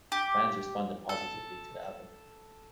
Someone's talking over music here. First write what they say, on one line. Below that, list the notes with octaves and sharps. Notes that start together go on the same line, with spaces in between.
Fans responded positively to the album.
G4
A4